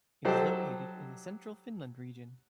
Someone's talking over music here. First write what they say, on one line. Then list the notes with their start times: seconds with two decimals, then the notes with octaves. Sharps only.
It is located in the Central Finland region.
0.25 F#3 G3 D#4 G4 A4 C5